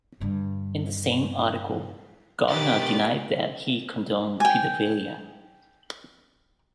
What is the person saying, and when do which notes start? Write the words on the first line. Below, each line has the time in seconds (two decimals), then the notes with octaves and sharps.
In the same article, Gardner denied that he condoned pedophilia.
0.20 G2 D3
2.49 D4 G4 A#4 B4 D5 A6
4.40 G5 G#5